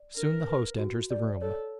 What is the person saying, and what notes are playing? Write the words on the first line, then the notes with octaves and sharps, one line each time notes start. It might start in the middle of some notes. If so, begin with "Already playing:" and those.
Soon the host enters the room.
Already playing: D5
D4 A#4
B4
F#4
D5
A4 C#5